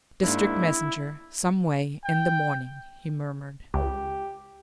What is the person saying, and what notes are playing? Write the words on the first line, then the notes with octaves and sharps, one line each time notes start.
"District messenger--some way--in the morning," he murmured.
G#2 A#3 D4 E4
G5
C#2 G4